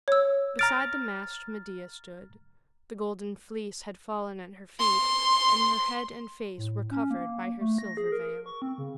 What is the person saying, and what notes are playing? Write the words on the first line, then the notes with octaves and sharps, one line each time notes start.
Beside the mast Medea stood; the Golden Fleece had fallen at her feet, and her head and face were covered by her silver veil.
C#5 E6
A#5 F6 A6 D7
C6
A2
C#4
A#3
A3
A#6
G#4
A#4
C#6
C4
C#3